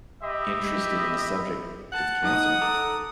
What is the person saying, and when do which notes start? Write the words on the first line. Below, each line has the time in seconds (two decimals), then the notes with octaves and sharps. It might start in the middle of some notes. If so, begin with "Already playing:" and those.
interested in the subject of cancer.
0.22 G4 D#5 E5 B5
1.92 F#5 A5
2.24 D#4 D#6
2.62 A4 A#5 D6